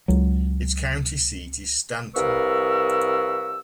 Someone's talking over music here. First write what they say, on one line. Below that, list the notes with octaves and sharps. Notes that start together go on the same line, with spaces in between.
Its county seat is Stanton.
C#2 F#3
C2 A#4 B4 F5 C#6 E6